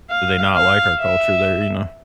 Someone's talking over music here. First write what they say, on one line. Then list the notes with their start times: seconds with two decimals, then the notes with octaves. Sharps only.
do they not like our culture there, you know?
0.10 F5
0.55 F5
1.00 E5